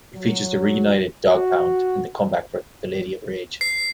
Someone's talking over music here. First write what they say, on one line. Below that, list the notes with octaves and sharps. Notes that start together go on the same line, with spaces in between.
It features the reunited Dogg Pound and the comeback for The Lady of Rage.
F#3
F#4
C7